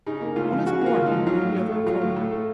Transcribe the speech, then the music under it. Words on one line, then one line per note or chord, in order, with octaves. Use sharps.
"One is a warm one, the other a cold one!"
C#3 D#4
A#3
C#2 F4
F3
C#3 F#4
A#3 F4
C#2
D#4
F3
F#3 F4
A2
A2
A3
F#3 F4
A2
A2
A3